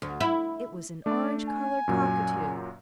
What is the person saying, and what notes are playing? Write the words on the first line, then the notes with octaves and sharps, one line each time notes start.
It was an orange-coloured cockatoo.
D2
E4
A3 D4 D5
G#5
F#2 A#2 F#3